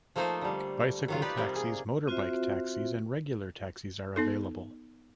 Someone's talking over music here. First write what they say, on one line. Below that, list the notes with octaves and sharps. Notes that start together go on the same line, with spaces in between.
Bicycle taxis, motorbike taxis and regular taxis are available.
F3 A3 A#3 D#4 F4 C5
D3 G3
D#3 F#3 F4
D#4 G4 B4 D5
C3 G3 A#3
G#4
C4 F4 F#4 C5 E5
B3 D#4 A4